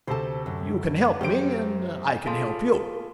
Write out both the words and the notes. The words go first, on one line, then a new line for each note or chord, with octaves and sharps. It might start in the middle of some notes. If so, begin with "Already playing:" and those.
You can help me and I can help you.
D2 C3 A4 C5 A5
F#2
F#2 G4 C5 D7
F4 G#4 A4 F5 A5 C6